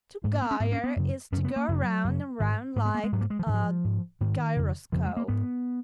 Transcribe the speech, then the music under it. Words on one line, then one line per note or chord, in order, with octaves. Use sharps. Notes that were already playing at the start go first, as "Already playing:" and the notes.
'To "GYRE" is to go round and round like a gyroscope.
G#2 G#3
A#3
B3
C#4
G#2 B3
C#4
B3
F#2 C#3
F#2 C#3 C#4
B3
A#3
F#2 C#3 F#3
F#2 C#3
G#2 D#3
G#2 A#3
B3
A#3
G#3
G#2 F#3
A#3
G#3
F3
G#2 D#3
F3
G#2
G#2 D#3
F2 C#3
F2 C#3 F3
G#3
A#3
G#2 B3